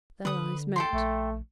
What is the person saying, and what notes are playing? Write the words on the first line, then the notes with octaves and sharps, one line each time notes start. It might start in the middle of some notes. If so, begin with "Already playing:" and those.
Their eyes met.
D3 B4 D#6
A4 G5 C6
A#1 A3